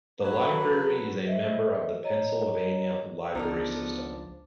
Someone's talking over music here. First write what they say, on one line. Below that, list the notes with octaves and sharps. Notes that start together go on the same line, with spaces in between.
The Library is a member of the Pennsylvania library system.
F#3 A4 B4
C5 D#5 E5
C#5 D#5 A#5
C#2 F3 B3 D4 D#4 A#4 D5